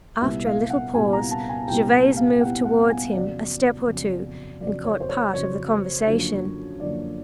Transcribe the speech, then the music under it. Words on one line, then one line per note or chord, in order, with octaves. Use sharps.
After a little pause Gervase moved towards him a step or two, and caught part of the conversation.
C2 A#2 G3 B3 E5
F5
F#5
C2 A#2 G3 B3 G#5
A#5
A5
G#5
C2 A#2 G3 B3 G5
F5
C2 A#2 G3 B3 F#5
F#5
G#5
F2 C#3 F#3 D5
F2 C#3 F#3
F2 C#3 F#3 D5
C#5
C5
C#5
F2 C#3 F#3 C#5
F#2 D3 F3 A#3
F#2 D3 F3 A#3 D5